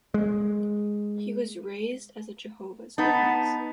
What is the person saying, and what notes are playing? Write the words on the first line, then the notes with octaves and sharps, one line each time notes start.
He was raised as a Jehovah's Witness.
G#3
B3 D#4 A5